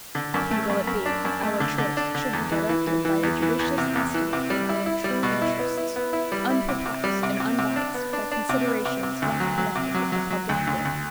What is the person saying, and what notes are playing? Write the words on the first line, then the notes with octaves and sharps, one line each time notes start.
Happy will it be if our choice should be directed by a judicious estimate of our true interests, unperplexed and unbiased by considerations not connected with the public good.
D3
F#2
A3
F#2
F#2
D4
F#2
A3
D3
D3
D4
D3
E2
E3
E3
E3
E3
E2
E3
E2
C3
E2
E3
C3
G3
E4
E4
G3
B2
E4
B3
E4
B3
E4
G3
E4
C3
C3
G3
C3
C3
C3
D4
B3
D4
D4
C3
B3
C3
C3
D2
F#3
F#3
C3
F#3
F#3
F#3
D2
D2
D2